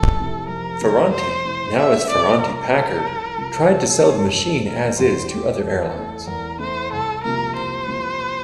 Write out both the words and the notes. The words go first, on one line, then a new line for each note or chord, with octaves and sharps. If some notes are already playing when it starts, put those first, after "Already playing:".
Ferranti, now as Ferranti-Packard, tried to sell the machine as-is to other airlines.
Already playing: F2 C3 E3 A3 A4
C3 E3 A3 E4
F2 A#4
C3 E3 A3 E4
F2 C5
C3 E3 A3 E4
C2 E5
C3 F3 D5
C2 A#4
C3 F3
C2
C3 F3
C2 A4
C3 F3
E2 A4
E3 A3 A#4
E2 C5
E3 A3 G4
E2 A4
E3 A3
E2 A#4
E3 A3 C5
C2 A4
C3 F3 A#3 A#4
C2 C5
C3 F3 A#3